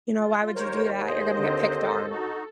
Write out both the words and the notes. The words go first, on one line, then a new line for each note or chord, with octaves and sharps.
"You know, why would you do that? You're gonna get picked on."
F4
D#2 A#4 C5 C#5
G#4 C5 D#5
D3 C4 D#4
A4
D#4 F#4